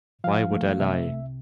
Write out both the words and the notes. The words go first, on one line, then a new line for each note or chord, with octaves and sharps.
Why Would I Lie?
F3 F5
A3
C3 E5
C2